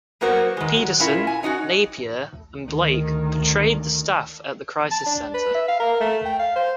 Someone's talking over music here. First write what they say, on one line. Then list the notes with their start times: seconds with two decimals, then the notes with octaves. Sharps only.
Pedersen, Napier and Blake portrayed the staff at the crisis centre.
0.21 F#3 A#3 B3 F#4 A#4 C5
0.57 D#3 G#3
0.76 F#3
1.00 C#4 E4 F4 A#4
1.27 G#5
1.43 C#4 D#4 F4 F#4
2.64 D2 D#3
4.92 A5
5.06 D4
5.34 B4
5.54 E5
5.68 F5
5.80 A#4
6.01 A3
6.25 G5
6.39 F5
6.56 C5